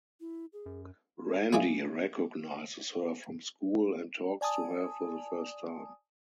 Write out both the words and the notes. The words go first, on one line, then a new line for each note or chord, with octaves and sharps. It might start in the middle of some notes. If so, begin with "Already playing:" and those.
Randy recognizes her from school and talks to her for the first time.
E4
G#4
F#2
F#3 F4 G#4 D5 E5 D6
D5 G#5 A5 D#6